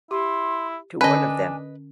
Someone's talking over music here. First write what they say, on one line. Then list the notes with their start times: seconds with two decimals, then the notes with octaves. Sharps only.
To one of them.
0.11 E4 G4 C6
1.01 D3 C#4 D4 B4 D#5 G#5 A5